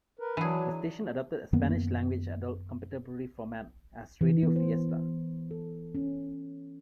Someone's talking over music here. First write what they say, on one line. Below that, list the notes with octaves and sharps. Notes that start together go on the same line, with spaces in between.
The station adopted a Spanish language adult contemporary format as "Radio Fiesta".
A#4 B4
E3 F#3 D4 G#4
F#2 D#3 A#3 B3
E3
B3
C5
B3
A4
C#4